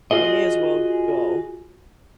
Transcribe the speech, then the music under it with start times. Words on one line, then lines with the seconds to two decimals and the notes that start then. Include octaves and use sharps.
we may as well go,"
0.11 F4 F#4 G#4 D#5